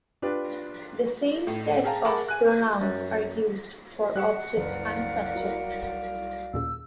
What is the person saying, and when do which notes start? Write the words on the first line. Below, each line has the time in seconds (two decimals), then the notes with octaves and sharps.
The same set of pronouns are used for object and subject.
0.22 D4 F4 G4 B4
1.47 A2
1.84 G#4 F5 G5 A5 A#5
2.05 G#4 A#4 F#5 A5 B5 D6
2.28 G#5 F#6
2.82 F#2
4.16 G3 G4 F#5 C#6 E6 F#6
4.56 F#1 C2 B4 D5 F5
5.35 F#3 E4 A#4
6.54 D#2 A#2 C#3 E6